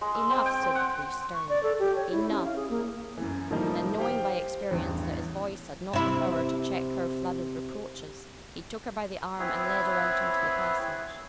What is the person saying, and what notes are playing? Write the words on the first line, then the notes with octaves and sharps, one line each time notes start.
"Enough," said the priest, sternly, "enough." Then, knowing by experience that his voice had not the power to check her flood of reproaches, he took her by the arm and led her out into the passage.
G#3
E6
C4
G5
C4
F#5
C#6
D5
A4
G4
C#5
E4
C#4
F5
G#4
A#3
F#2 E3
A2 D#3 F3 G3 A#3 D#4
G4 C5 F5 G5
A1 E2 G2
C3 E4
B3 C4 E4 G#4 B4 C#5